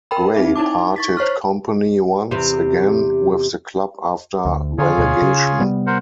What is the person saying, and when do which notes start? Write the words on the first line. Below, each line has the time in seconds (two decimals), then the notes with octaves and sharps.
Gray parted company once again with the club after relegation.
0.11 A#4 G5 B5
0.34 C4 D#4 E5
0.56 D#4 E4 A5 D6
0.96 C#6 A6 B6
1.17 C5 C#5 C#6 F6
2.31 E2 C3
4.45 D2
4.78 D3 F4 G#4 C#5
4.98 D2 B2
5.22 C#3
5.60 C3 G3 B3
5.87 A#4 C5 F#5